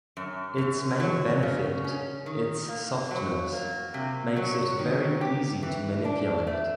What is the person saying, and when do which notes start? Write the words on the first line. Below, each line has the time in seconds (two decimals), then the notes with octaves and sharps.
Its main benefit, its softness, makes it very easy to manipulate.
0.17 F#2
0.58 F#2
1.00 F#3
1.43 C#3
1.84 C#4
2.26 D#3
2.68 A#3
3.11 F#3
3.52 A#3
3.94 C3
4.36 F#3
4.79 D#3
5.21 G4
5.63 E3
6.05 D4
6.47 A3